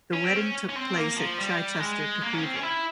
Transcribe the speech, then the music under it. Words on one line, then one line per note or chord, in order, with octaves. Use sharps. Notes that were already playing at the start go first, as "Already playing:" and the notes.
The wedding took place at Chichester Cathedral.
C#4
C4
C#4
C#4
C4
A#3
F3
G3
G#3
A#3
C#4
C4
C#4
E4